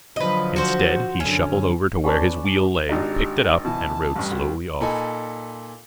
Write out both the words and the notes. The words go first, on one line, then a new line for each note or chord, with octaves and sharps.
Instead he shuffled over to where his wheel lay, picked it up, and rode slowly off.
D3 F3 F#3 B4 D#5
F#4 C5
F#2 D3 C#4
C#4 B4 D5 A5
G#1 D4 D#4 G4
B2 E3 A5
A1 G2
C2 F#4
A#2 D#4 A4 G#5 B5